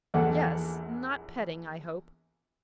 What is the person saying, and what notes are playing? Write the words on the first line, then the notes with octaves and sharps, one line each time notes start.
Yes; not petting, I hope.
A#1 E2 A4 F#5